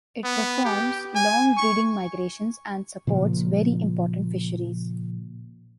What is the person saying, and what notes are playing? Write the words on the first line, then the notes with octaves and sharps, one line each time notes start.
It performs long breeding migrations and supports very important fisheries.
B3
G4
G#5
C#6
A#2 C#3 F3 A#3